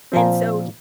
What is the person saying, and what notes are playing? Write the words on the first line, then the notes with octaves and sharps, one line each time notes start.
and so
A#2 F3 C4